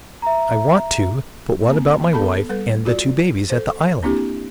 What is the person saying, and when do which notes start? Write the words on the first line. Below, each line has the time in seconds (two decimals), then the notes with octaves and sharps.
"I want to; but what about my wife and the two babies, at the island?"
0.22 E5 A#5
1.68 A#3 C4
2.13 B3 A4 A5 B5
2.49 G3 A4 B4
2.85 F4 F#4 D5
3.50 A4 C5
4.03 A#3 C4 D4 E4 G4